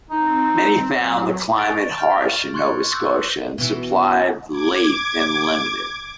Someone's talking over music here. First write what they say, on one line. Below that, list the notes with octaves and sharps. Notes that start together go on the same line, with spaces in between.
Many found the climate harsh in Nova Scotia, and supplies late and limited.
C4 D#4
F#3
C#6 A6 D7 F7
F6 G6 F7
C6 C#6 F#6 G#6 C#7
C6 D6 E6 F#6 G6
B2 E3
D6 G#6